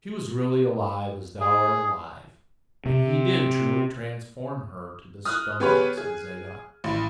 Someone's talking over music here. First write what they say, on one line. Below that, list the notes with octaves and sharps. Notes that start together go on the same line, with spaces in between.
"She was really alive as thou art alive, and he did truly transform her to this stone," said Zadok.
G#4
C3
D#6 F6 F#6
B3 G4 G#4 B4 C#5
G#4
A1